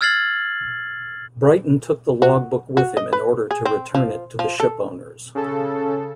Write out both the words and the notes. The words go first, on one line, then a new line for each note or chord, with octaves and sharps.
Brighton took the logbook with him in order to return it to the shipowners.
E6 F6 G#6 A6 C7 F#7
F#4
F#4
D#5
B4
G#4
C4
F3
F3
A4
C#3 A4